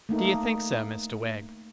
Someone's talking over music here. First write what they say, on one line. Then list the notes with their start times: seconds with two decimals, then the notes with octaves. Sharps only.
'Do you think so, Mr Wegg?
0.09 A3 A#3 D#4